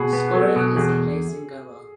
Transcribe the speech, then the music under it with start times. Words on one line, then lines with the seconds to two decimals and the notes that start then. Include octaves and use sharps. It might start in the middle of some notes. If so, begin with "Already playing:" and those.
Soccoro is a place in Goa.
Already playing: B2 F#4 G#4
0.13 B3
0.33 F#3 A4
0.56 B2
0.76 E2 G#4